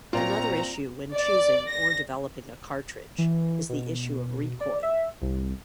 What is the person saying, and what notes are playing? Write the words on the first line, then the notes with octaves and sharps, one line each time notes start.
Another issue, when choosing or developing a cartridge, is the issue of recoil.
A#2 C4 C#4 F4 D5 F5 A#5
D5
A#6
E3
B2
D5
E5
C2